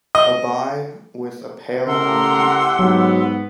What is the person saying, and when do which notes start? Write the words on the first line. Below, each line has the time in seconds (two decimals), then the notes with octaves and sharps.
A buy with a pale on a beach.
0.15 D#5
1.86 A2 C#3 G4 A4 A#4 F#5 C6 E6
2.79 G#2 F#3 B3